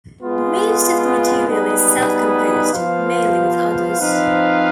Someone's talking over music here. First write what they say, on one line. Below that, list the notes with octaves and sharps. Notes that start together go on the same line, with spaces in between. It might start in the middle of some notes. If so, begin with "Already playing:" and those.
Most of the material is self-composed, mainly with others.
G#3 B3 F4
G3 B3 D#4 G#4 B4
F3 B3 F4 C5 F5
F3 C4 D#4 B4 F5